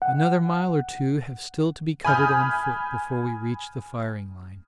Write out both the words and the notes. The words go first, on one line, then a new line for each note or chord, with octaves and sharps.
Another mile or two have still to be covered on foot before we reach the firing-line.
F#5
G#5 B5 D#6 F6 G6